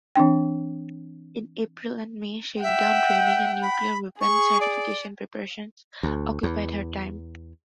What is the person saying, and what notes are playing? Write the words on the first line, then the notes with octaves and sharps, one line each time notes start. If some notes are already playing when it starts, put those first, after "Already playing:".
In April and May shakedown training and nuclear weapons certification preparations occupied her time.
E3 C4 D4 G5
E5 F#5 G5
B5
G#4 C#6
D5
D2
E2